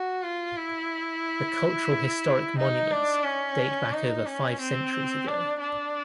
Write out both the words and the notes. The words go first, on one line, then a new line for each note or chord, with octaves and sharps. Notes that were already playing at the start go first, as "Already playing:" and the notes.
The cultural-historic monuments date back over five centuries ago.
Already playing: F#4
F4
E4
D#4
D4
C#4
D#4
C#4
C4
D4
D4